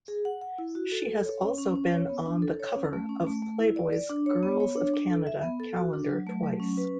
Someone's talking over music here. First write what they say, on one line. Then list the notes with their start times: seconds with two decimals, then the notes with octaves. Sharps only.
She has also been on the cover of Playboy's Girls of Canada calendar twice.
0.08 G#4
0.25 F#5
0.41 F#5
0.58 E4
0.75 F#4
0.92 A4
1.08 A4
1.25 C#5
1.42 C#4
1.58 C#4
1.76 C#4
1.92 C#5
2.09 B3
2.26 D4
2.42 A4
2.60 C#5
2.76 C#4
2.93 A3
3.09 C#4
3.27 A3
3.42 A3
3.59 E4
3.76 D5
3.93 D5
4.10 D4
4.26 C#5
4.43 B3
4.60 C#5
4.76 D4
4.94 D4
5.10 A4
5.27 E5
5.43 B3
5.60 A4
5.76 F#4
5.93 D4
6.10 F#3
6.27 A3
6.44 F#3
6.60 C#4
6.77 B4